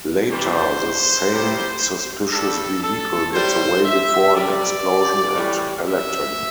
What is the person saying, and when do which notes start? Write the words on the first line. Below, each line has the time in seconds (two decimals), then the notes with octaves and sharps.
Later, the same suspicious vehicle gets away before an explosion at Elekton.
0.29 C3 E3 G3 C5
1.30 C3 G3
2.31 G2 G3 A4
2.82 A4
3.33 A2 G3 C5
3.84 E5
4.33 C3 G3 D5
5.36 A2 E3 G3
5.87 E5